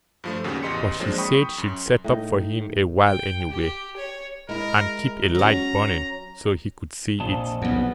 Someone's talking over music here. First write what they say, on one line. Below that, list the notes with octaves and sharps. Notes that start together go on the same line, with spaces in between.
But she said she'd set up for him a while anyway, and keep a light burning so he could see it.
G2 F3 A3
D#2 C#3 G3 F#4 G4
A1 E2 G4 D#5 C6 C#7
F3 F#3 G#3 A#3 C4 D4
G5 B5 C#6 D#6
F#2
A2 D#4
G5
G4
C#5
G#3 E4 A#4
F#3 C#4 A#5
A#1 F2 D#5 A5
B1 E2 B3